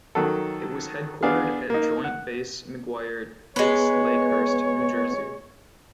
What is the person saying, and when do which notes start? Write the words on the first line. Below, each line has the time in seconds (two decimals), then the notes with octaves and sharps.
It was headquartered at Joint Base McGuire-Dix-Lakehurst, New Jersey.
0.15 D#3 F#3 A4
1.23 B3 D4 G#4 F5
1.70 A#3 D#4
2.04 F#5
3.56 G#3 B3 B4 C#5